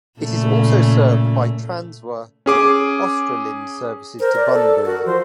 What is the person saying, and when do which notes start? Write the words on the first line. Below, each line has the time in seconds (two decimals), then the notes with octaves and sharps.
It is also served by Transwa "Australind" services to Bunbury.
0.20 A#2 C#3 A3
2.46 C#4 G#4 D6
4.20 A#4 C5
4.36 D5
4.53 A4
4.85 F#4 A#4
5.06 F3 C5